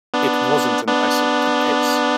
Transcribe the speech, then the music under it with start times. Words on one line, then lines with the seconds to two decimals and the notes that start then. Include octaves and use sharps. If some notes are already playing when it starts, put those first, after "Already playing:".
It wasn't an isolated case.
0.14 B3 D4
0.87 B3 D4